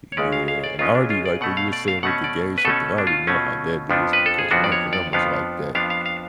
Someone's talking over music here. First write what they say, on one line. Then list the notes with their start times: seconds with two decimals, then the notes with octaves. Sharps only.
Yeah, and I already like what you were saying with the game show thing, I already know how that is because my grandma's like that.
0.12 C#5
0.17 C#2 C#3 G#3 C#4 D5
0.32 F5
0.48 F5
0.64 D5
0.79 C#2 C#3 G#3 C#4 F4
0.95 D4
1.10 F4
1.26 D5
1.41 B2 A3 C#4 F#5
1.57 F5
1.73 D5
1.88 F5
2.03 B2 A3 C#4 F#5
2.24 D5
2.58 B4
2.65 B2 A3 C#4 A4
2.98 D4
3.07 F4
3.27 B2 A3 C#4
3.90 F2 F3 B3 D4
4.13 B4
4.26 A4
4.39 G#4
4.51 F2 F3 B3 D4 F#4
4.64 D5
4.72 C#5
4.93 D5
5.13 F2 F3 B3 D4 F5
5.75 F2 F3 B3 D4 F5
5.90 F5
6.06 F5